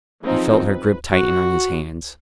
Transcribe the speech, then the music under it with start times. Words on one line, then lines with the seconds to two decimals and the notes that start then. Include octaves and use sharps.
He felt her grip tighten on his hands.
0.22 E3 F3 C4 D#4 G#4
0.68 B4
1.12 F#4